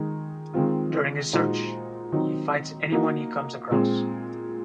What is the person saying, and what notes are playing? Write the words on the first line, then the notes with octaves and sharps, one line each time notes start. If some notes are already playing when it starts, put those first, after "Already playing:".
During his search, he fights anyone he comes across.
Already playing: D#3 G#3 D#4
D#3 G#3 C4 F4
A#2 G#3 D#4 F#4 C5
D#3 F#3 C4 D#4
A#3 D#4 F#4
A#2 G#3 C4